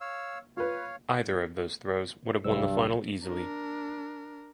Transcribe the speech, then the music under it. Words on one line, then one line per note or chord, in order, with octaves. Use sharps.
Either of those throws would have won the final easily.
C#5 F5 E6
F4 B4 C#5 F5
C2 G2 F#3 E6
D4 A#4